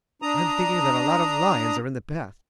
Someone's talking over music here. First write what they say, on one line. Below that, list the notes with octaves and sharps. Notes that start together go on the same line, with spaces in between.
"I'm thinking that a lot of lions are in the path."
D4 A#5 D#6